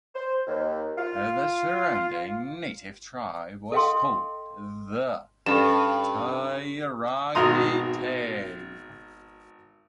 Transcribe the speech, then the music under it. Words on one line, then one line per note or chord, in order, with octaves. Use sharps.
The surrounding native tribe was called the Tyragetae.
C5
D#2
F4
A4 D#5 F5 G5 C6
G2 C#4 A4
G#1 B2 A#5 C6 D#6